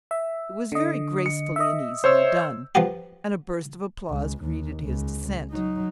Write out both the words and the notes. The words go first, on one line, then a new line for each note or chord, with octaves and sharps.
It was very gracefully and easily done, and a burst of applause greeted his descent.
E5
D3 D#5
C#7
D#5 E5
C5 C#5 E6
F3 B3 G4
C#2
D#2
C#2
F#3 D#4